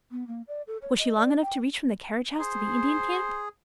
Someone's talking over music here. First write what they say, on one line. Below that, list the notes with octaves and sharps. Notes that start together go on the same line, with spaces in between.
Was she long enough to reach from the carriage house to the Indian camp?
B3
A#3
D5
A4
C#5
D#5
D5
G5
G#4 C5